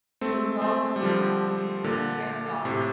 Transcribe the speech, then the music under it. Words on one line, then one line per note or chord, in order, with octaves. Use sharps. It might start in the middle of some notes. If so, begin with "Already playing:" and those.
It was also frequently used as a carry-all.
A3 C4
A3 C4
G3
D3 F3
A#2 D3
A2 C3